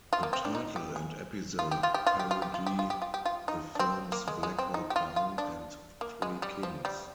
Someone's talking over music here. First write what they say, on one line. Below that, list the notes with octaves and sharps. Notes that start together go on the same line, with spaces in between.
The title and episode parody the films "Black Hawk Down" and "Three Kings".
F4
A#3
C4
D4
D#4
G4
G#4
F4
G4
F4
G4
F4
G4
F4
G4
F4
G4
F4
G4
F4
G4
F4
D#4
D4
C4
A#3
G#3
G#3
C4
D#4
G4
F4
F4
D4
A#3
G#3
G3
F3
G3